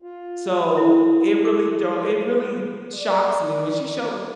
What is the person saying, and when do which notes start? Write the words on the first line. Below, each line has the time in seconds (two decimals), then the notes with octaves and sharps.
so it really throw it really shocks me, when she showed
0.02 F4
0.77 E4
1.45 D6
2.95 D5